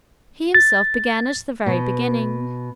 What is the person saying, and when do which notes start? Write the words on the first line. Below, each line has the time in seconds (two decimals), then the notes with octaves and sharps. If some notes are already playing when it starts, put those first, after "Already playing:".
He himself began at the very beginning.
0.55 A6
1.66 B2